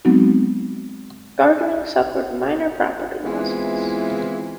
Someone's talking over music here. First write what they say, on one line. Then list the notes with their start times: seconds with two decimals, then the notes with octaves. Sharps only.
Gardening suffered minor property losses.
0.05 F#3 G#3 B3 C4 D#4 F#4
3.24 E3 G#3 B3 C4 E4 F4